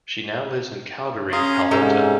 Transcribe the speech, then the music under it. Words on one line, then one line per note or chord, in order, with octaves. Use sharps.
She now lives in Calgary, Alberta.
C#4 G#4 F5 A#5 C6
G#2 C3 G3 A4 A#5